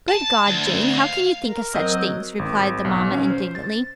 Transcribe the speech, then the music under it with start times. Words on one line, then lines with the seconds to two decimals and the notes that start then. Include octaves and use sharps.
'Good God, Jane, how can you think of such things?' replied the mamma indignantly.
0.08 A5
0.47 D2
0.98 F5
1.45 A#4
1.75 F#3 C4 D#5
2.39 G#1
2.85 B1
3.12 C#4
3.30 C5
3.55 A6